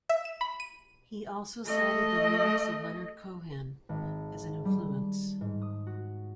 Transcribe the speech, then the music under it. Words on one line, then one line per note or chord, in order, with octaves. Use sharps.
He also cited the lyrics of Leonard Cohen as an influence.
E5
E7
B5
D#7
A3 D#5
G#1
G3
G#2
D#6
F#4